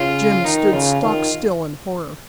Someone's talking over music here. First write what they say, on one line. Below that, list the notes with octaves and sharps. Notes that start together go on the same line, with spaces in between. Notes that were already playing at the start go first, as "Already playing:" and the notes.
Jim stood stock still in horror.
Already playing: C#3 F4
D#3 D#4
C#3 F4
D#3 F4